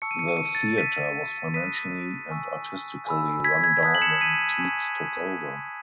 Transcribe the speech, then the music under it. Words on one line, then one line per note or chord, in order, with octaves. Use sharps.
The theatre was financially and artistically run down when Tietz took over.
A5 C#6 E6 C#7
D#7
C#7
D#7
C#7
D#7
A6 C#7
A5 E6 B6 D#7
B5 D#6 F#6 B6 D#7
G#5 C#6 E6
G#5 B5 E6
G#6 B6
G#6
A5 D#6 F#6 G#6 B6
F#7
C#7 E7
B6 D#7
G#5 C#6 E6